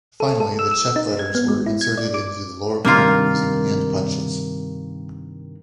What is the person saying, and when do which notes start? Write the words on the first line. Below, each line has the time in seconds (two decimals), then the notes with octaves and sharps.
Finally the check letters were inserted into the lower corner using hand punches.
0.20 A4
0.40 A4
0.59 E6
0.71 E6
0.96 D#4
1.19 G#6
1.35 B3
1.48 G#3
1.66 E4
1.81 G#6
1.97 D5
2.14 D6
2.85 G2 C3 D#3 A#3 F4